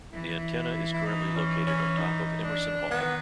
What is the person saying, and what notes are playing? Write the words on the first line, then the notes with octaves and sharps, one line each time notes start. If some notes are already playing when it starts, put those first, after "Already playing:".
The antenna is currently located on top of Emerson Hall.
E3 E4
E4
D#4
C#4
C#4
D#4
D4
D#3 B3